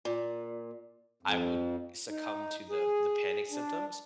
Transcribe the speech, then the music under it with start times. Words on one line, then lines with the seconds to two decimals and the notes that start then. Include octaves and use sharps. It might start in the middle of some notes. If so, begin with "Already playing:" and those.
I would succumb to the the panic symptoms,
0.05 A#2
1.23 F2
2.09 D#4
2.70 G#4
3.51 D4